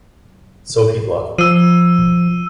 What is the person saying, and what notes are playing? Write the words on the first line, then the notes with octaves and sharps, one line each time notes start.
So he left.
F3 E6 D#7